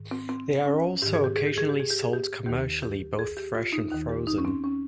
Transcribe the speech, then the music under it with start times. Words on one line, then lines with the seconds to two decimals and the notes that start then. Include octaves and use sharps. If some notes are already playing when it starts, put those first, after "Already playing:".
They are also occasionally sold commercially both fresh and frozen.
Already playing: G#2 D#3
0.11 C4
0.29 C4
0.66 C#4
1.02 G#2 D#3 G4
1.13 G#4
1.24 G4
1.36 G#4
1.47 G4
1.58 G#4
1.69 G4
1.80 G#4
1.90 G4
2.03 G#4
2.13 G4
2.46 D#2 D#3 G4
2.82 G4
3.19 G#4
3.37 G4
3.55 F4
3.72 D#4
3.90 D#2 D#3 D#4
4.09 G4
4.27 D#4
4.38 C#4
4.45 C4
4.64 C#4